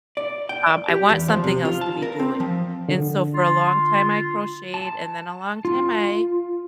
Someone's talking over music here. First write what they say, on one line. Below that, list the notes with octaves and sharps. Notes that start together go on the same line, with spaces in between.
um, I want something else to be doing, and so, for a long time I crocheted, and then a long time I
D5
G5
G4
E2
F3
C3
F4
A5
A#4
C4
F3
D3
F4
A5
F4